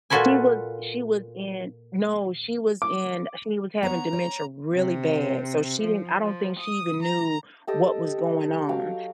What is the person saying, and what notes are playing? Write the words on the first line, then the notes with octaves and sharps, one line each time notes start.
She was she was in no, she was in she was having dementia really bad, so she didn't I don't think she even knew what was going on,
A#2 F4 F#4 A4 B4 G#5
D6
B3 C#5 A#5
C#5
C3
F3
F3
D#6
A#5
G4 A4 D#5 G5
F#3 F5 G5